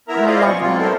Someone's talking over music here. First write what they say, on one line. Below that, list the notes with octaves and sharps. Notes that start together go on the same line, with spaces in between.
I love that.
B3 E4 A#4 E5 A#5
E4 F4 C5 D5 D#5 F5
B2 C#4 C#6
G3 G#3 C4 F4
A3 B3 E4 A4 A#4 C5